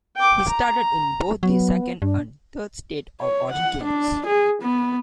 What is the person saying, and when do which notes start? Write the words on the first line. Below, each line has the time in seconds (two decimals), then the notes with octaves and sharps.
He started in both the second and third State of Origin games.
0.16 G5 D6
0.49 A#5
1.43 F#3 B3
2.02 G2 D4
3.21 C#5
3.52 F#5
3.83 D4
4.26 G#4
4.62 B3